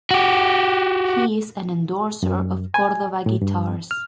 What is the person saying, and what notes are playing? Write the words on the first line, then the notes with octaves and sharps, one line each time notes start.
He is an endorser of Cordoba guitars.
F#4 G4
F#2
G#5
A2
G2
F6